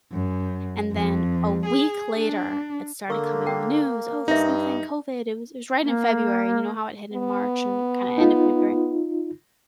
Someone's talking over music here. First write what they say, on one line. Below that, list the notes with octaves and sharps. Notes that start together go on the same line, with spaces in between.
and then a week later, it started coming on the news, "Oh, this new thing, COVID," it was it was right in February, and you know how it hit in March and kinda end of February.
F#2
F2
G#4
D4
D3 A#3 C#6 E6
A#4 G5
G2 D#4 E5 D6
A#3
B3
D#4 F4